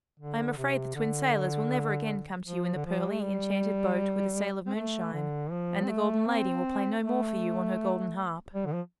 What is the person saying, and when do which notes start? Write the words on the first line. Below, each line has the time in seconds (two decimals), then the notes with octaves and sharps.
I am afraid the Twin Sailors will never again come to you in the pearly, enchanted boat with the sail of moonshine; and the Golden Lady will play no more for you on her golden harp.
0.19 D3
0.57 C3
0.95 D3
2.47 F3
2.75 D3
2.85 F3
3.11 A3
3.22 G3
4.67 C4
4.75 A3
5.13 D3
5.51 F3
5.84 C4
5.89 A3
6.27 C4
7.03 A3
8.54 G3
8.66 D3
8.74 F3